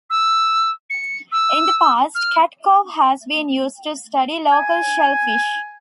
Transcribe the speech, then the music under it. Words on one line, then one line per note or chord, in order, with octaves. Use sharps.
In the past, Cat Cove has been used to study local shellfish.
E6
C#7
E6
F6
G#5